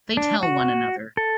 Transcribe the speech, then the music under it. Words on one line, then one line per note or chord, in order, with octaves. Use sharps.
They tell one another.
D4
F#4
A4